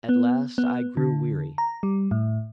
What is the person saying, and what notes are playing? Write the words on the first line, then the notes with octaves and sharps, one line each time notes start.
At last I grew weary.
B3
B3
D3
A#5
G3
A2